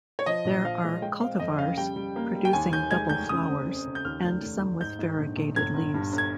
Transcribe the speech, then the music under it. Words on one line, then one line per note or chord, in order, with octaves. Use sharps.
There are cultivars producing double flowers, and some with variegated leaves.
C#5
F3 D#5
A#1
F3 F5
G#3
G#3 G5
C4 F5
F2 D#5
C#3 F5
G3 G5
G3
A#3
G3
G5
D#2 G#5
D#2 G6
G#3 G#6
F1 G6
C#3 D#6
C4
C4
C#3
G6
D#2 F6
F1
F1
F1
G#2 G6
G#2
A#1
A#1
G1 G#6
G1
G2
G1
G#6